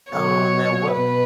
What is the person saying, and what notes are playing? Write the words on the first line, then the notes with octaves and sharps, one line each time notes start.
Aw, man, what
B2 F#3 C#5
B2 B4